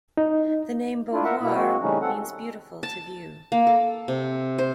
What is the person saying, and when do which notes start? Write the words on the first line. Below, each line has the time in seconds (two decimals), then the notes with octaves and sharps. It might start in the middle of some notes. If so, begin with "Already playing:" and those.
The name "Beauvoir" means "beautiful to view".
0.17 D#4
1.13 A3 D4 E4 F4
1.24 A#4 E5 F#5
1.41 B2 A#3 B3 E4
1.55 G#3 A#3 C4 F#4
1.82 C#3 E3 G3 A3 C#4 D#4
2.02 C4 A4 F#5
2.83 A5
3.52 A#3
3.67 A4
4.08 C3
4.58 C5